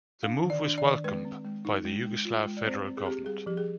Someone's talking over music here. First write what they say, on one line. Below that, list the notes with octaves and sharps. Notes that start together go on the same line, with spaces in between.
The move was welcomed by the Yugoslav federal government.
D4 F5
D#3
D5
D4
D5
D#3
G#3 B4
C4
G#3
D#4
G#3
G#3
F4
G#3
D5
C4 C5
C4
G#4
C4 G4
G3 G#4
F3 G4
G#4